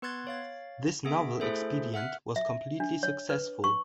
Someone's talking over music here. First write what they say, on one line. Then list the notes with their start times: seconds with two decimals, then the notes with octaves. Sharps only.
This novel expedient was completely successful.
0.02 B3 B4 C6 F#6 G#6 A6
0.27 C#5 F5 A6
1.05 B3 G#4 E5
1.41 A3 E4 G#4 A4 C5 E5
1.94 E5 F#5 F6 F#6
2.36 E5
2.80 D4
3.03 C#5
3.30 B4
3.64 C#6